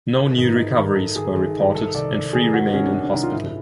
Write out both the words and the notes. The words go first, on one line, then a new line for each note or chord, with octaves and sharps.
No new recoveries were reported and three remain in hospital.
G#1 A#4
G#2 D#3 B4
G#1 D#5
G#2 D#3 A#4
G#1 A4
G#2 D#3 G#4
G#1
G#2 D#3
C2 A4
C3 D#3 G3 D5
C2 A4
C3 D#3 G3 G#4
C2 F#4
C3 D#3 G3 C#4
D4
C2 C#4
D4
C3 D#3 G3 D#4
F4
G#2 E4